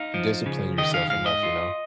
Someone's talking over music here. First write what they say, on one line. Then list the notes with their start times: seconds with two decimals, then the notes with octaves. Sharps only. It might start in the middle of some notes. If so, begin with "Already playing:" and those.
discipline yourself enough, you know?
Already playing: D#4 F5
0.14 F3
0.46 C#3
0.78 D#3 D#5
0.94 F5
1.10 G#2 F5
1.26 D#5
1.43 F4